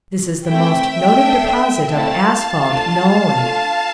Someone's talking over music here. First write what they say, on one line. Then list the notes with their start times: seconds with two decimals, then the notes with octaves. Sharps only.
This is the most noted deposit of asphalt known.
0.48 A3 C4 E4 E5 G5
1.20 D4 A4
1.92 A3 C4 E4 F5 A5
2.65 A3 D4 F4 A4
3.38 A3 D4 F4 A4